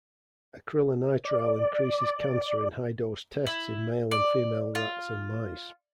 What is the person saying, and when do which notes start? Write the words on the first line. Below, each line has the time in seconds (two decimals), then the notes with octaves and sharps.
Acrylonitrile increases cancer in high dose tests in male and female rats and mice.
1.25 D5
3.47 E4
4.11 D5
4.75 F4